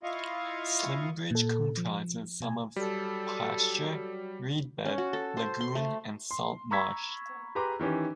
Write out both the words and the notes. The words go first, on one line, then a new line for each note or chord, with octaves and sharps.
Slimbridge comprises some of pasture, reed bed, lagoon and salt marsh.
E4 F4 D#5 F5 C#6
A#2 A4
F3
B2 G#5 G#6
F#3 G3 A4
C#4
F#4
A4
C5
C6
A3
C6
A#5 B5 C#6 E6 G#6 B6
G4 G#4 B4 A#5 C6 D6
D#3 E3 C#4 G4